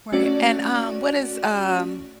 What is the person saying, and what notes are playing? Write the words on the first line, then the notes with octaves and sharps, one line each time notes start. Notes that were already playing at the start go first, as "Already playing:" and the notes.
Right. And, um, what is um
A3 C#4 F#4 D5